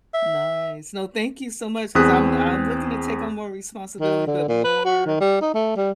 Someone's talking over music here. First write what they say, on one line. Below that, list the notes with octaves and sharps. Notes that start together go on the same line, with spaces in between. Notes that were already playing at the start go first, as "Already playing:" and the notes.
Nice. No, thank you so much 'cause I'm I'm looking to take on more responsibility, but more
E5
E2 C4 G#4 D#6 F#6 B6
D#3
D3
A#2
B4
F#4
D#3
G3
D#4
A3
G3